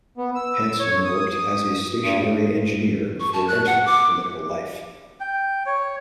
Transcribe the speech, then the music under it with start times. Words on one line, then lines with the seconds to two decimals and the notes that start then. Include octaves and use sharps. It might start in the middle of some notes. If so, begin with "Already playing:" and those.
Hansen worked as a stationary engineer before entering political life.
0.18 B3
0.35 E6
0.80 C#5
1.05 D#6
2.02 G2
3.20 C#6
3.33 A5
3.48 F#6
3.66 F#5
3.86 D6
5.20 G5
5.66 C#5